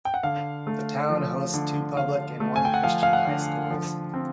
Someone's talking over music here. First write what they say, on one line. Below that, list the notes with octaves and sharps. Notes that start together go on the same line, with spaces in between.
The town hosts two public and one Christian high schools.
G5
F#5
D3 F5
A3
F3
D3
D3 F5
A3
G#5
G5
F#5
F3 F5
F5
F#5
D3
F3
C4